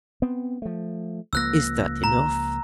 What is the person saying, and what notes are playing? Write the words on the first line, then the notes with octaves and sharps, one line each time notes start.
"Is that enough?"
B3 C4
F3 A3
C#2 F3 A#3 E6 F#6 A#6
A#5